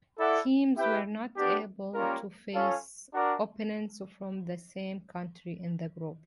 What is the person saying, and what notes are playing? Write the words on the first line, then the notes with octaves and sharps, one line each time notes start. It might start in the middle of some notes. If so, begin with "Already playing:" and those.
Teams were not able to face opponents from the same country in the group.
E4 A4 D5 F#5
E4 G4 B4 E5 G5
B3 D4 G4
G3 A#3 C#4 F4 A#4
C#4 F4 A4 C#5 F5
D4 F#4 A#4 D5 F#5